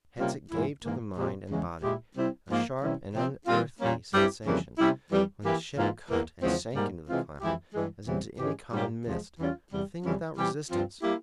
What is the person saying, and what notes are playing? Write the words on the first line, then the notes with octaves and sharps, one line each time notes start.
Hence it gave to the mind and body a sharp and unearthly sensation when the ship cut and sank into the cloud as into any common mist, a thing without resistance.
C3 G3 A#3 C#4 F4
G#2 E3 A#3 E4
G#2 E3 A#3
A#2 G#3 C4 G4
E2 C#3 E3 G#3
A#2 G#3 E4 G4
C3 G3 C4 E4
G#2 F3 A#3
C3 E3 G3 C#4 E4
C3 F3 C4
A#2 G3 C4 F4
A#2 G3 A#3 C#4
G2 G3 C4 E4 G4
F2 C#3 E3 G3 A#3
C3 G3 C#4 E4
F2 E3 G3
E3 A#3 E4 G4
G#2 E3 A#3 F4
E2 E3 A#3
E2 C#3 F3 G#3 C4
G#2 G3 A#3
C3 E3 G#3 C4 F4
F2 E3 G#3 E4 G4
G2 E3 G#3
E2 C#3 E3 G3 C4
G#2 E3 G#3 C#4 G4
G#2 G3 A#3 C#4 G4
E2 C3 F3 G#3
E2 E3 G3 C#4 F4
E2 C3 G3
F2 C#3 E3 G3 C#4
E3 G3 C4 G4
G2 F3 C4 F4
G3 A#3 E4 G4